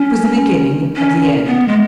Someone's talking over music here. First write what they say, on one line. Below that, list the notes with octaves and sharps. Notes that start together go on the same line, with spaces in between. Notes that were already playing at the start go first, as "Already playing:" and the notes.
It was the beginning of the end.
Already playing: C#4
C#4
B3
G#3